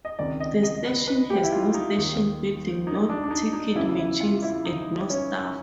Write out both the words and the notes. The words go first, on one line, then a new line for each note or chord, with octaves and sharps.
The station has no station building, no ticket machines and no staff.
D#5
C#2 C3 D#3 D5
D#5
D#5
B4
B4
G4
E4
F4
D#4
D#2 D#3
D#4
D4
D4
D#4
D#4
E2 C#3 E3 E4
E4
F4
E4
D#4
C#4